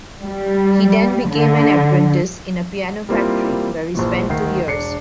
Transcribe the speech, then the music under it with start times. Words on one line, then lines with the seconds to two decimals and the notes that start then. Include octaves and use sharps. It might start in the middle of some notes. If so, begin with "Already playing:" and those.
He then became an apprentice in a piano factory, where he spent two years.
0.21 G3
1.28 D3
3.09 G3 A#3 C4 E4 F4
3.95 A#1 A#2 E3
4.29 D2 D#3 C7
4.66 E1 D4 C7 C#7